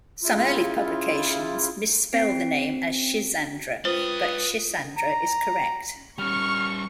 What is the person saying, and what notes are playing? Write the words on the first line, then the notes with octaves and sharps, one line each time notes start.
Some early publications misspell the name as "Schizandra," but "Schisandra" is correct.
C#3 E4 F4
C4 C7 D7
F4 B4 C5 G5 D#6
A#5
G3 C#4 C#6 F6